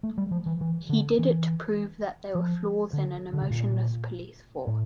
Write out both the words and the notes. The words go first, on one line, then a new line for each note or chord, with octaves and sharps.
He did it to prove that there were flaws in an emotionless police force.
A3
G3
F3
E3
E3
D3
E3
F3
D3
D3
C3
A#2
A2